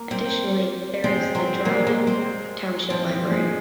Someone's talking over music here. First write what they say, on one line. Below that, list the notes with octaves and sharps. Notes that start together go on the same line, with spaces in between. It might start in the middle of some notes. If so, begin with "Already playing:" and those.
Additionally there is the Dryden Township Library.
Already playing: A#3
C4
G#3 C4
F#3 C4
G#3 A#3
A#3
C4
F3 C4
F3
G#3